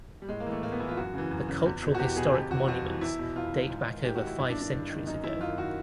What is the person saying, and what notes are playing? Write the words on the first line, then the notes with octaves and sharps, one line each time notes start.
The cultural-historic monuments date back over five centuries ago.
G3
A2 G#3
A#3
E3
A3
A2 A#3
B3
E3 E4
F4
F#2 F#4
C#3 E3
F#2
C#3 E3
E2
B2
F#4
E2 G4
B2 G#4
F2 G4
C3 E3 F#4
F2 F#4
C3 E3
E2 E4
B2
E2 F4
B2
G#2
D#3
G#2 G4
F#4
D#3
E4
G2 E4
D4
D#3
D4
G2
D#3
F#2 D#4
D#3 E4
F#2 F4
D#3 F#4